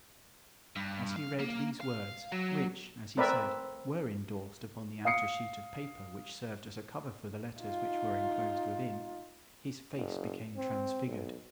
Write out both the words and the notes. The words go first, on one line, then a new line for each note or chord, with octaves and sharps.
As he read these words, which, as he said, were endorsed upon the outer sheet of paper which served as a cover for the letters which were enclosed within, his face became transfigured.
G2
F5
A#3
F5
F#3
A3 C4 A#4 B4 D5 E5
F5 D#6 C7 C#7
D#4 F4
F#1
C4
B1